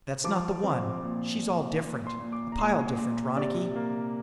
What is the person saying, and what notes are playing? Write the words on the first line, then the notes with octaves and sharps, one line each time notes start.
"That's not the one. She's all different, a pile different, Ronicky."
F3 D6
C4
A#2
A#2
A#2
C6
A#2
D6
A#5
A#2 C6
A#2
C3 D5
A#3